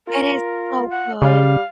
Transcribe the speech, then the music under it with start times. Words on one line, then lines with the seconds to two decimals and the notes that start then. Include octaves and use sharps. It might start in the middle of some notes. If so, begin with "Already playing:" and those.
it is so good,
0.08 F4 A#4
0.90 F#5
1.22 C#3 G3 F5